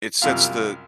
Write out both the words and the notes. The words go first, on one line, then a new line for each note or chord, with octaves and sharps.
it sets the
C2 F#2 F4 F5